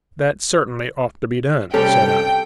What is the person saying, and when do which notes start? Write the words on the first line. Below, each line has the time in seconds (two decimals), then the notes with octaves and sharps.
"That certainly ought to be done," said I.
1.74 C3 G3 C#4 A4 G5